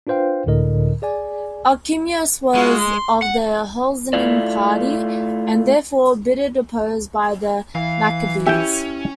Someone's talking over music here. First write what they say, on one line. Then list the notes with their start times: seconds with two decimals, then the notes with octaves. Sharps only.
Alcimus was of the Hellenizing party, and therefore bitterly opposed by the Maccabees.
0.07 D4 F4 B4 C5 F5 G5
0.46 C#2 A2 D3 A#4 D#5
1.02 G#4 D5 G#5
2.55 G#3 F4 F#4
2.78 C6
3.22 F#5
4.13 A3 E4 F4 D5
7.75 E3 F5
8.47 C#4 E4 G4 E5 G5